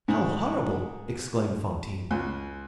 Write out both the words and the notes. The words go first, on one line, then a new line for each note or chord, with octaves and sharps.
"How horrible!" exclaimed Fantine.
G#2
C#2